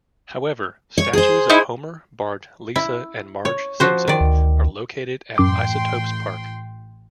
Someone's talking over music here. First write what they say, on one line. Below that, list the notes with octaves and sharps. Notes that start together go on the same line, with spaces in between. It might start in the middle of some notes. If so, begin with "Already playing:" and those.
However, statues of Homer, Bart, Lisa, and Marge Simpson are located at Isotopes Park.
C#5
G#4 C5
D#4 E4
E4
C#5
F3 F#4 C5
D#3 D5
D2
A1 F#2 G5 C6 D6